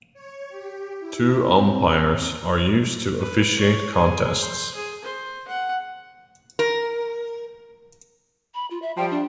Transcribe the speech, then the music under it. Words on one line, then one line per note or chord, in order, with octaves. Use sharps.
Two umpires are used to officiate contests.
C#5
G4
E4
C4
B4
C#5
G#4
C5
G#4
C5
F#5
A#4
B5
F4
E5
F3 G3 G5
D4